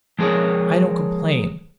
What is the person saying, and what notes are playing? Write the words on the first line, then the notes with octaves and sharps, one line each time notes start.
I don't complain.
F3 G#3 G#4 A#4 C#5